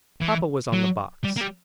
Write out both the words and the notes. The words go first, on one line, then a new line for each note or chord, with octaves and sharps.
Papa was on the box.
E3
F#3
G3
A#3
G3